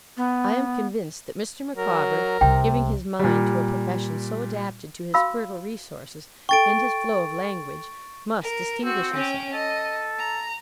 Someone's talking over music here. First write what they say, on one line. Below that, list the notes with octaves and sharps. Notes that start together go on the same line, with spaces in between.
I am convinced that Mr. Micawber, giving his mind to a profession so adapted to his fertile resources, and his flow of language, must distinguish himself.
B3
F#3 A#4
C2 C3 G5
A#2 G3
F#4 F5 B5 E6
A4 G5 C#6 A6 D7
A#4
C4 F#4
C#4 G5
A4 D#5
A#5